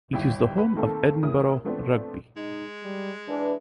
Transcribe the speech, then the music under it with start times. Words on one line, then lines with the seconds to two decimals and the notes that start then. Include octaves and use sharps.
It is the home of Edinburgh Rugby.
0.13 G1 D#2 E4 G5
0.58 B4 F#5
0.76 D#3 A3 A#3 C4 A4
1.23 A1 E4 G#4 A#4 D#6
1.64 F3 A3 B3 C4 D4
2.36 G#3 D#4
2.84 G3
3.28 E3 D4 B4